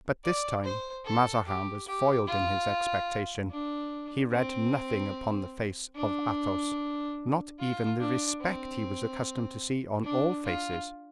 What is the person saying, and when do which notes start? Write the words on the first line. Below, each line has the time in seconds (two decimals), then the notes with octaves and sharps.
But this time Mazarin was foiled in his expectation: he read nothing upon the face of Athos, not even the respect he was accustomed to see on all faces.
0.24 D5
0.64 C5
1.05 A4
1.47 G4
1.87 G4
2.28 F4
3.51 D4
4.32 C4
5.95 D4
7.60 F4
8.00 D4
8.40 C4
10.04 D4
10.45 F4